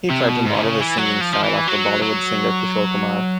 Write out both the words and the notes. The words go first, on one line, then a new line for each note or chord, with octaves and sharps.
He tried to model his singing style after Bollywood singer Kishore Kumar.
C3
B2
G#2
D3
C#3
E3
F#3
F3
F3
E3
F#3
F#3